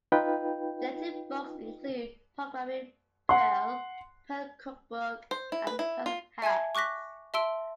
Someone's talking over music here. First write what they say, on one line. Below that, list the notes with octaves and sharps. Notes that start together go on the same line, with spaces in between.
Related books include "Programming Perl", "Perl Cookbook", and "Perl Hacks".
D#4 F4 B4 G5
F#5 C6
C5
E4
B4
E4
F4
E5 G#5 A5 G#6
C#6 D6 F#6 A#6 B6
E5 A5 C6 E6 D7 G7